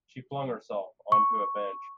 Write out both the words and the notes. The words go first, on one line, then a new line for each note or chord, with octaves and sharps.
She flung herself on to a bench.
C#6